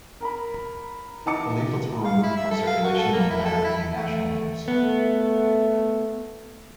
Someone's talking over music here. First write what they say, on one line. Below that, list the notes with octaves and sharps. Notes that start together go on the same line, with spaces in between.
The leaflets were removed from circulation when the matter became national news.
A#4 A#5 B5
E3 D#4 A5 D6 C#7
F5
E4
E5
A4
F5
F#4
A4
A#3
E4
A4
E4
A3
A3 B3